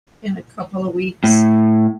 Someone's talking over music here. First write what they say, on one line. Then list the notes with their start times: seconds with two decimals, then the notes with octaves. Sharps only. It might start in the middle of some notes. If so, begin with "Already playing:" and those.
in a couple of weeks.
1.24 A2